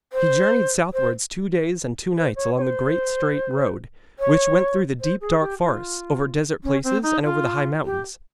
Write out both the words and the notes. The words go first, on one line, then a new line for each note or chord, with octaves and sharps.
He journeyed southwards two days and two nights along the great straight road, which went through the deep dark forests, over desert places and over the high mountains.
C5
C5
C5
C#5
C#5
C5
C#5
C5
G#4
G4
F4
C#4
C4
D#4
F4
G4